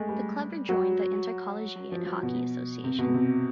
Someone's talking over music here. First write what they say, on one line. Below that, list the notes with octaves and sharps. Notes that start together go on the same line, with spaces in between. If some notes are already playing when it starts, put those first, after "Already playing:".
The club rejoined the Intercollegiate Hockey Association.
Already playing: G#3 A3
G3
F#3
F3
F3
B2
C3
B2
C3